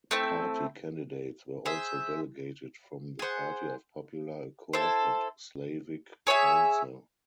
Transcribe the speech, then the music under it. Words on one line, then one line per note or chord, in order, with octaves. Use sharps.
Party candidates were also delegated from the Party of Popular Accord and Slavic Council.
A3 C4 E4
G#4 C5 E5
G#4 C5 F#5
E4 A4 C5
G#4 C#5 E5 G#5